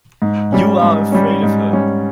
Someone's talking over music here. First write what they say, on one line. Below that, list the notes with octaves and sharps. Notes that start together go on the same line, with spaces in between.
You are afraid of her!
G#2
G3 C#4
G#2
G3 C#4
G#2
G3 C#4